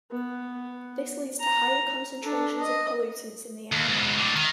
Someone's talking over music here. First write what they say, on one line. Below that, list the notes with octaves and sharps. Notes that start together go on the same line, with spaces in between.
This leads to higher concentrations of pollutants in the air.
B3
A#5
D4 A4
D#5
D#2
G#2 B2
A2 D3
D#3